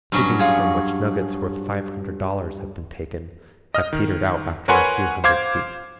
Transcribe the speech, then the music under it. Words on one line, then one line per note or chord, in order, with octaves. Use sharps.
Diggings from which nuggets worth five hundred dollars have been taken have petered out after a few hundred feet.
G2 F#3 C#4
F4 G#4 C#5
D#5 F6
D#3
A#4 B4 C#5 F#5 G#5 C6
C5 F5 D6 G#6